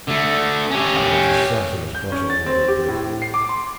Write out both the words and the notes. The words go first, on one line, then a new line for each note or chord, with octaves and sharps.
I was as certain as possible that he did.
D3 A3
C#4 G4
G6
C#4
A6
C4
G4
A2
C7
D6
C6